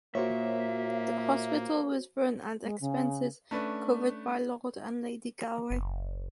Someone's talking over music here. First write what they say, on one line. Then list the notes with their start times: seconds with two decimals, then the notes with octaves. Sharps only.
The hospital was run and expenses covered by Lord and Lady Galway.
0.15 A#2 A#3 F#4 C5 C#5 E5
2.63 G#3
2.81 C#3
3.51 A3 C#4 D4 B4
5.70 F#1